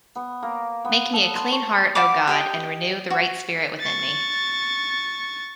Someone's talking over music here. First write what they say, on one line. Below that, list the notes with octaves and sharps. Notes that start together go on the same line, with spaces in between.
Make me a clean heart, O God: and renew a right spirit within me.
B3
A#3
B3
A4
C6
C#6
F#4 D5 B5 D6
G4 D#5 G5
F#4
C#6 A6